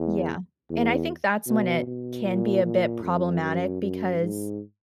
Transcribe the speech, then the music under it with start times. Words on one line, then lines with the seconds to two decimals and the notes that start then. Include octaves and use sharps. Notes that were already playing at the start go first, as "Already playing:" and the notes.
Yeah, and I think that's when it can be a bit problematic, because,
Already playing: E2
0.70 E2
1.47 B2
1.86 B2
2.25 A#2
2.64 A#2
3.03 F2
3.42 F#2
3.81 F#2
4.20 G#2